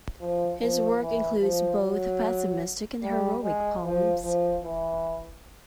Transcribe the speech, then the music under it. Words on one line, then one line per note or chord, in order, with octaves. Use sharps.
His work includes both pessimistic and heroic poems.
F3
F3
E3
F3
F#3
G3
G#3
F3
F3
E3